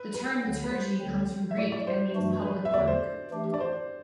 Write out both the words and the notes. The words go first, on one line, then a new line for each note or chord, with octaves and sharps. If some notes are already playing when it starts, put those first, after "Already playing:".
The term liturgy comes from Greek and means "public work".
Already playing: B4
B4
D2 D3 F#3 B3
B4
C5
D2 D3 F#3 C4
E5
A2 F#3 A3 D5
D5
C5
G2 E3 A3 D4 F#4
B4
E5
E2 D3 A3 D5
C5
E3 A3 D4 G4
D5
C5